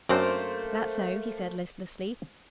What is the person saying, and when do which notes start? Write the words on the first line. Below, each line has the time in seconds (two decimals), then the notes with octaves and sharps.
"That so?" he said listlessly.
0.09 F#2 A3 A#3 C4 D4 C5